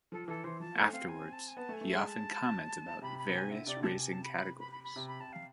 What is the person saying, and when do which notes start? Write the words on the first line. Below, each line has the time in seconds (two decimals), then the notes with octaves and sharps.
Afterwards, he often comments about various racing categories.
0.12 F3 A4
0.28 E3 A4
0.44 E3 C5
0.60 F3 A5
0.76 A3 G#5
0.92 C4 F5
1.08 G#5
1.32 A5
1.47 G#5
1.57 B3 A5
1.69 A3
1.73 G#5
1.81 A3
1.88 G#3 E5
2.05 A5
3.01 C3 B5
3.18 B5
3.26 C3
3.34 G#5
3.50 D3 E5
3.67 C3 D5
3.76 D3
3.82 C3 A5
3.99 G#5
4.11 A5
4.23 B5
4.36 B5
4.59 B5
4.71 B5
4.83 B5
4.96 C3
5.07 B5
5.20 C3 A5
5.32 F5